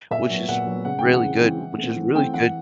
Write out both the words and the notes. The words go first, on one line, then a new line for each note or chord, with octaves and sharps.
which is really good which is really good
A#2 E5
F#3 B3
A#2 F#5
F#3 B3
C#3 F#5
G5
E3 G#3 C4
F#5
C#3
E3 G#3 C4
E3
A3 C4
E3
A3 C4 G5
E3 F#5